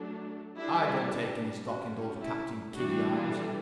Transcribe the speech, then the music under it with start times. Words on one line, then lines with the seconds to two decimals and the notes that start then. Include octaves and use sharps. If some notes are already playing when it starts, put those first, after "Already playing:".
I don't take any stock in those Captain Kidd yarns.
Already playing: F#3 A3 D4
0.57 G3 D4 E4
1.66 D3 G3 C#4 F#4
2.20 E4
2.75 E3 G3 D4 F#4
3.30 A4